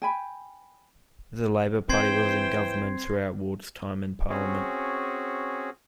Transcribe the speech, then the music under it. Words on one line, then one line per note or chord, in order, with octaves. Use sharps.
The Labour Party was in Government throughout Ward's time in Parliament.
G5 G#5 B5
E3 C4 C5 G5 C6 G#6 C7
C4 C#4 F#4 G#4